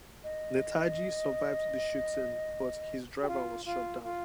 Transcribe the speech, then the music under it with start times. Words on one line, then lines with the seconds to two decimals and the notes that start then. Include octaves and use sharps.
Netaji survived the shooting but his driver was shot down.
0.24 D#5
3.22 G4
3.28 F4
3.65 F4
4.03 F4